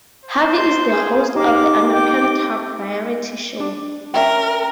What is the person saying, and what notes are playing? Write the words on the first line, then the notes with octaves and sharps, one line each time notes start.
Harvey is the host of the American talk-variety show.
C5
C6
G#4
A#3 D#4 G4 D6
G5
D4
C#4 A#4 E5 G5